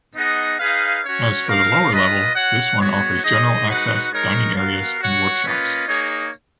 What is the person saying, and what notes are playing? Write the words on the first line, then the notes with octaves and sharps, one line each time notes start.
As for the lower level, this one offers general access, dining areas, and workshops.
B3 D#4 G#4 D#5 F#5
D#4 G#4 B4 F5
C#4 F#4 C#5
D#4 A#4 F5
F4 B4 D#5
F#4 C#5 F#5
G#3 B3 F#4 C#5
D#4 G#4 D#5
G#3 D#4 F#4 B4 F#5
G#3 D#4 A#4 C#5
B3 F#4 A#4 F5
F#4 C#5 F#5
A#3 C#4 F4 B4 D#5
A#3 D#4 G#4 C#5